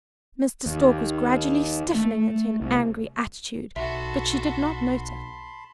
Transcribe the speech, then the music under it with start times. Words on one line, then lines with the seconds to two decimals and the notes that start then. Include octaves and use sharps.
Mr. Stork was gradually stiffening into an angry attitude, but she did not notice.
0.66 D#2
1.95 A3
2.61 C2
3.76 B1 F#4 A4 E5 A5 B5 C6